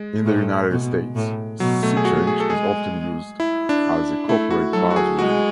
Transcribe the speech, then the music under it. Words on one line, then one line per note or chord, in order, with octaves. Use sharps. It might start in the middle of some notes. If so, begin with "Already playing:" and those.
In the United States, sea-change is often used as a corporate buzzword.
Already playing: G#3
A2
B2
A2
B2 F#3
A3
G#4
F#4
G#4
A4
G#3 G#4
E4
D4
A3 E4
F#4
F#3 A4
F#4
G#4
G#3 F#4